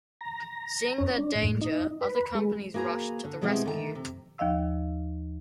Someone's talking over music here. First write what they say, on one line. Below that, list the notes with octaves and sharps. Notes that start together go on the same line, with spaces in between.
Seeing their danger other companies rushed to the rescue.
A#5
C#4
D4
A2
D#4
B4
G#3
A#3 F#4 G#4 B4 A#5
D3
B2 G3 G#3 B3 C4 E4
D3 D#3 A3 F#5 A#5
C3
D#2 F3 D#5 F5 E6